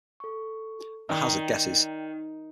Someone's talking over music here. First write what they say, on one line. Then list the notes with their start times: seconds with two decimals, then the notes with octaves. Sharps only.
I hazard guesses.
0.20 A4 C#6
1.09 D#3 D5 G5 A#5